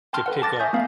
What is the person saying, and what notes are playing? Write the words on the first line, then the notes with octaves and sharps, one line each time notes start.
to pick up
G5 A5 C6 F6
A4 B4 F#5
A5 D6 A6 A#6
E5 G#5 C#6 D#6 G6
A3 B3 F5